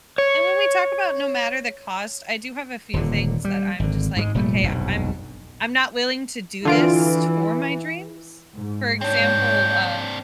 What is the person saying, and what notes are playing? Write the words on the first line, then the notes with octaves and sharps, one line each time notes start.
and when we talk about no matter the cost, I do have a few things that I'm just like, "Okay, I'm I'm not willing to do this for my dreams." For example, uh,
C#5
D#1 A#2 D3
G3
G#1 D3
G#2 F#3 G#3
F1 A#2 G3 A3
F1 B1 G2 B2
D3 E3 F4 D7
G#2
C4 D4 C#5 G6